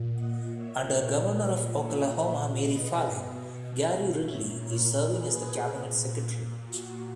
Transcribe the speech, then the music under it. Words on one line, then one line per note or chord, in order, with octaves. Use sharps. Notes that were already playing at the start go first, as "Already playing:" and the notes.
Under Governor of Oklahoma Mary Fallin, Gary Ridley is serving as the Cabinet Secretary.
Already playing: A#2
D#5 F#5
C#5 E5
A#2 A#4 C#5
B4 D#5
C#5 E5
C#5 E5
B2 B4 D#5
A#2 C#5 E5
A#4 C#5
G#4 B4
A#2
F#4